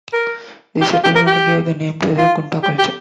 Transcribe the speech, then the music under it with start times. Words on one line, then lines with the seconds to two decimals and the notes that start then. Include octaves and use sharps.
This settlement gave the name to the Kunda culture.
0.13 A#4
0.81 G4
0.93 F4
1.04 G4
1.15 A#4
1.27 G4
2.18 F4
2.63 G4
2.78 G4